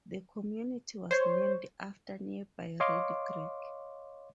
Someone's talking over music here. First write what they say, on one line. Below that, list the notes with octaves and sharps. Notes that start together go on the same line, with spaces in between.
The community was named after nearby Reedy Creek.
C5 C#5
C#5 D#5 F5 C6 D6